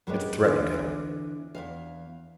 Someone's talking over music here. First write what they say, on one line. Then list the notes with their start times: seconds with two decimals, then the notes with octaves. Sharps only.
It threatened him.
0.07 F#2 G3 G#3 B3 C#4 D4
0.43 D3 E3 B3 D4 F4 E5
1.55 E2 E3 F5